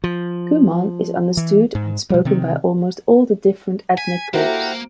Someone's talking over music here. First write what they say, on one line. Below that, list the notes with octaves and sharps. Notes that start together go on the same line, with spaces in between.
Kuman is understood and spoken by almost all the different ethnic groups.
F3
E3
G#2
B2 G3
C3 D#3 C4
G#5 B6
A#3 E4 F#4 G4 A4 C5 F#5 A#5